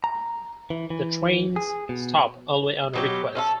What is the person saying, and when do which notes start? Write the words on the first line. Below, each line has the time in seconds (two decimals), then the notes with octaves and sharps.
The trains stop only on request.
0.04 A#5
0.70 E3
0.90 E3
1.56 G#4
1.89 B2
2.93 B2 F#3 G4
3.35 C#4 F4 A4